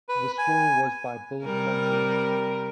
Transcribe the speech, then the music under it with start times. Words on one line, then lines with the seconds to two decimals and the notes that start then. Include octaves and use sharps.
The score was by Bill Conti.
0.09 B4
0.38 G#5
1.44 C3 G3 A#4